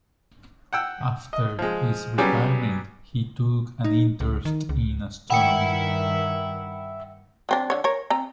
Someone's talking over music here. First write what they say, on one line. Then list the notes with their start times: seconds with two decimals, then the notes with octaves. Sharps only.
After his retirement he took an interest in astronomy.
0.73 F#5 G5 E6
1.33 D#5
1.59 F3 G#3
2.18 F#3 G3 B3 C#4 G4 G#4
3.84 D#4
4.20 C#2
4.45 D#3
4.69 C#2
5.31 G2 D#3 E5 F#5 G5 B5 C#7
7.49 F#3 C4 D4
7.70 D3 C#5
7.84 A#4 C#5
8.10 C4 A#5